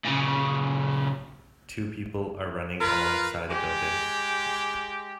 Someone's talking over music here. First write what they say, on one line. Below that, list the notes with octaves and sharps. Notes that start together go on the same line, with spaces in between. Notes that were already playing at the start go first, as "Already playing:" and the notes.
Two people are running along side a building.
A#2 C#3
F4 A#4 B4
G#3 G4